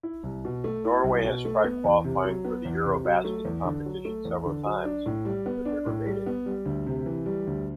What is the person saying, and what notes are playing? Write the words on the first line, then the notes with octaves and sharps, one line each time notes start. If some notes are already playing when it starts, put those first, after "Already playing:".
Norway has tried qualifying for the Eurobasket competition several times, but never made it.
E4
C2
B2
A3
E4
C2
B2
A3
B3
E2
C3
F#3
B3
E2
C3
F#3
A3
E2
D3
F#3
A3
E2
D3
F#3
D4
A2
G3
B3
D4
A2
G3
B3
G3
D2
C3
E3
G3
D2